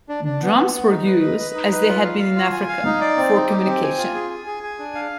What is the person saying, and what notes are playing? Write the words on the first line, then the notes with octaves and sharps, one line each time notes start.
Drums were used as they had been in Africa, for communication.
D4
D4
B3
B3
B3
D#4
B4
D#5
B4
D#4
B4
F4
F5
F5
F4
G#5
F5
D#4
D5
C4
D#4
G4
C4
G#5
F4
G#4
G#5
G#4
G#5
D4
F5